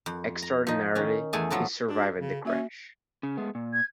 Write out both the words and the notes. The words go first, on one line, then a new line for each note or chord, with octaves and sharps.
Extraordinarily he survived the crash.
F2
A#5
F3 D#4
D#3 C#4
E2 A3 G#4 A4 G#5 A5
F3 F#3 B3 A4
D4 F#4
C#3
A#3 C#4 F#4 E5
C#3
G#3 A3 B3
A#2
G#6